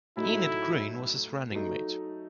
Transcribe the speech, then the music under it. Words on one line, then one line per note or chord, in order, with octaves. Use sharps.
Enid Greene was his running mate.
A2 F#3 A3 D#4 E4
F#3 A3 D#4